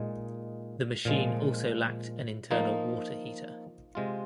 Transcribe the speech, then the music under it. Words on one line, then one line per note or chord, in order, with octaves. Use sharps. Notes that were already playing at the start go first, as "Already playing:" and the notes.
The machine also lacked an internal water heater.
Already playing: A#2 G#3 D#4
A#2 F3 G#3
F3 A#3 D#4
C3 G#3 F4